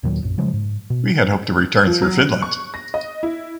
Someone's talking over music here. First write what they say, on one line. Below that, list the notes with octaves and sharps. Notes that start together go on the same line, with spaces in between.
We had hoped to return through Finland.
D#2 A#2 D#3 F#3
A#1 F#2
C#3 F3 F#3 G#3
G#2
B2
F3
F#3
F#6
C#6
A#6
D#5
E4